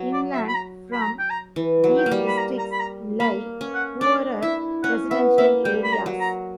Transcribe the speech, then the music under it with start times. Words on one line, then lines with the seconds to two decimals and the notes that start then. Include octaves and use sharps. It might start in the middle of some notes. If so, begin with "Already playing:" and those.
Inland from these districts lie poorer residential areas.
Already playing: F#3
0.14 D5
0.34 E5
0.48 B5
0.55 A#5
0.92 B5
1.02 A#5
1.19 G5
1.30 A#5
1.56 E3
1.84 F#3
1.98 G5
2.06 A#3
2.11 G3
2.28 B5
2.38 A#5
2.58 A#5
2.72 B5
2.80 A#5
3.20 A#3 B5
3.61 C#4
3.75 F#5
4.01 D4 D5
4.42 E4 E5
4.84 C#4 F#5
5.10 B3 E5
5.38 A#3 E5
5.65 G3 G5
5.84 B5
5.93 A#5
6.06 F#3
6.20 A#5